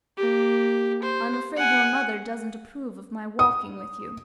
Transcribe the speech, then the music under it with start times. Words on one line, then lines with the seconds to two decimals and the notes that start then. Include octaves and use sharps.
"I'm afraid your mother doesn't approve of my walking with you."
0.17 A#3 G4
1.03 C5
1.57 F#5 G#5
3.39 D#6